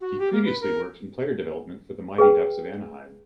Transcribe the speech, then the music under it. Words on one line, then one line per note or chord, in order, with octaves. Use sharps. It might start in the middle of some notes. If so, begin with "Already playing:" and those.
He previously worked in Player Development for the Mighty Ducks of Anaheim.
F#4
G4
A#3
B4
A#4
G#4 B4 G5